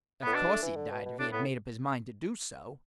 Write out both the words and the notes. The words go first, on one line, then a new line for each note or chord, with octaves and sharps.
"Of course he died, if he had made up his mind to do so."
A2 B3
B2 D4
A3
E3
D3
B2
B2
A2 D4
A2 B3